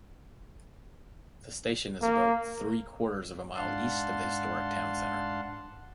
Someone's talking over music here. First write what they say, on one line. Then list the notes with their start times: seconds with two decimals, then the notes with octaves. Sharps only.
The station is about three-quarters of a mile east of the historic town centre.
2.02 A#3
3.55 G#2 D4 F5 F#5 A5 C6